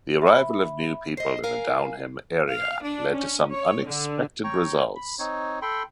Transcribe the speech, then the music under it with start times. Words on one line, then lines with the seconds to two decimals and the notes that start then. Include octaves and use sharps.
The arrival of new people in the Downham area led to some unexpected results.
0.22 E5 B5
1.17 C5 D#5 C7
1.44 A#4 F5 G#5
2.50 F5
2.83 D4
3.13 C#4
3.52 C#5
3.85 D3
4.44 C#5 G5 A#5 C#6
4.96 B5
5.19 C4 D#4 C#5
5.62 A4 G5 B5 C6